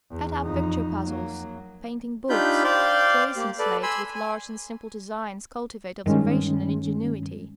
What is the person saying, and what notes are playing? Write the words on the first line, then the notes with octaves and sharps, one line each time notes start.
Cut-up picture puzzles, painting books, tracing slates with large and simple designs cultivate observation and ingenuity.
E2
F2 D#4
F#3 A#3
D4 D#4 F4 G4 B5 G6
C5 D5 F5 G5 C6
A#3 G4
A4 B4 D5
G#5 B5 C6 E6
G#5
G2 D#3 G#3 C#4